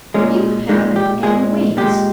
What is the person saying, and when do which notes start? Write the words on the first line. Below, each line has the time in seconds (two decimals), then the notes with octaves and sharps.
"You haven't any wings."
0.14 A#2 G#3 C#4
0.69 A#2 G#3 D#4
0.96 G4
1.23 A#2 G#3 G#4
1.77 A#2 G#3 G4